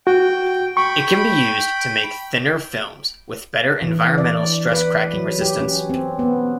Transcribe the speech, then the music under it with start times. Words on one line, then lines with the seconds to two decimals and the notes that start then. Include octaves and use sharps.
It can be used to make thinner films, with better environmental stress cracking resistance.
0.07 F#4 G5
0.77 G5 B5 C#6
3.82 E3
4.18 D5
4.72 B4
5.14 F#3
5.41 G4
5.60 C#4
5.90 C4
6.19 B3